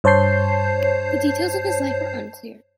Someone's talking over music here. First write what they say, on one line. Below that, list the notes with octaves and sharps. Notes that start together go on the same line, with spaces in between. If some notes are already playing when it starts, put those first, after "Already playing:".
The details of his life are unclear.
G2 C5 C#5 A5 G6 C7